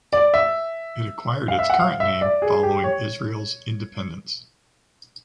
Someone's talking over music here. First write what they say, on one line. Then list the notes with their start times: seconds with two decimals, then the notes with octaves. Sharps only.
It acquired its current name following Israel’s independence.
0.13 D5
0.34 E5
1.48 F5
1.59 E5
1.70 F#5
1.79 F5
2.00 E5
2.21 D5
2.42 G#4
2.63 G4
2.84 C#5